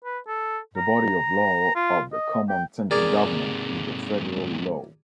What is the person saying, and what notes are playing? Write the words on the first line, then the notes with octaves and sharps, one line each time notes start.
The body of law of the common central government is the federal law.
B4
A4
A#5
F4
D#5
G5
G#2 C3 G#4 A#4 D5